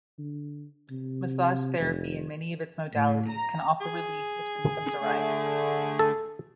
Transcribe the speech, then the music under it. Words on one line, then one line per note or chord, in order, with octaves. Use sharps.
Massage therapy, and many of its modalities, can offer relief if symptoms arise.
D3
C3
F1
A2
A#5
G#4
D3 A3
A4